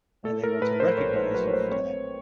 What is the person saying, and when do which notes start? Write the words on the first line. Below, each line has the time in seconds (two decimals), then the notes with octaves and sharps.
and they want to recognize you for that.
0.24 A3 A4
0.43 A#4
0.62 A2 B4
0.80 C5
0.98 A#1 C#5
1.16 C5
1.34 F#3 B4
1.47 C#5
1.54 C5
1.71 C4 C#5